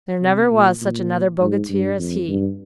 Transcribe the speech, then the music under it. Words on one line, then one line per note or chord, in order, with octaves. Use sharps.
There, never was such another bogatir as he.
C3
A#2
A#2
G#2
G2
F2
G2